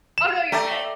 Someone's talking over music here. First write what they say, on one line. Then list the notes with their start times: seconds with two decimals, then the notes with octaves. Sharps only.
Oh no, you're good.
0.18 E7
0.52 A3 D5 G5 A#5